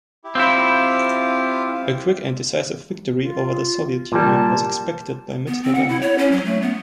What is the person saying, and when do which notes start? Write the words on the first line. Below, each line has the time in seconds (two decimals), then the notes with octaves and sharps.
A quick and decisive victory over the Soviet Union was expected by mid-November.
0.24 E4 G4
0.35 C4 E4 F4 G4 F5
3.20 F4
4.12 A#2 G3 A5
5.48 B3
5.63 C4
5.75 F#5
5.88 E4
6.02 C#5
6.18 C#4
6.32 F#3
6.45 A3
6.62 B3